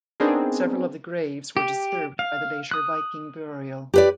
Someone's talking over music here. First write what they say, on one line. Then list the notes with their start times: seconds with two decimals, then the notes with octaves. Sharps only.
Several of the graves were disturbed by the later Viking burial.
0.20 B3 C4 D4 D#4 G#4 A#4
1.57 G4
2.19 F5
2.71 D#6 F#6
3.94 G4 B4 D5